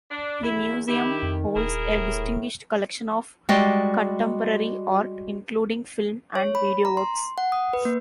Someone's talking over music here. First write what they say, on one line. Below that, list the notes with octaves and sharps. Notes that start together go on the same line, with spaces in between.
The museum holds a distinguished collection of contemporary art, including film and video works.
D4
E2 E4
D#3 E4 G4
F2
D#1 E4 G#4 A#4
A2
G3 G#3 F#4 D5 D#5 G5
C#5
B5
A#5
C6
F#5
D#6
B4
A#3